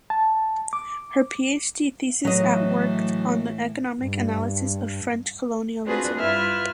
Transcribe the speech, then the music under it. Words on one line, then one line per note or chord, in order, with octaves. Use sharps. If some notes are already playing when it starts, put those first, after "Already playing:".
Her PhD thesis at worked on the economic analysis of French colonialism.
A5
D6
A2 E3 F#3 A3 D#5
G2
C4 D4 F4 F#4 G#4 B4
G2 E4 F4 B4 E5 F6